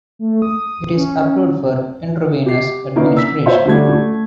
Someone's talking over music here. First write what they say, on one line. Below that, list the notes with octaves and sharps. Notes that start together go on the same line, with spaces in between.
It is approved for intravenous administration.
A3
D#6
C#4
G4 C7
D3 A#3 C#4 D#4 E4 B4
E6 B6
C5 C#5 E5 F5 C6
D3 G3 A3 G#6
A3